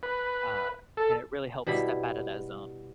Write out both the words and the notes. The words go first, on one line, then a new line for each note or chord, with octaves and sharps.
Uh, and it really helps step out of that zone.
B4
A4
B2 G3 E4 B5